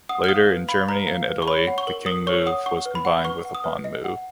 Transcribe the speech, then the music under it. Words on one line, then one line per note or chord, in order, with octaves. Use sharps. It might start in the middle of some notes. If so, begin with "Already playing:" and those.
Later in Germany and Italy, the king move was combined with a pawn move.
F#5 D#6
F6
F5 D#6
B4
F5 B5
B4 A#5
F5
B4
C#6
C#5 B5
F#5
C#6
A#4
A#4 D#6
C#5 C#6
F#5 D#6
F#5 C#6
B4
B5
F#5
B4 C#6
F#5
D#6
B4
D#5
F#5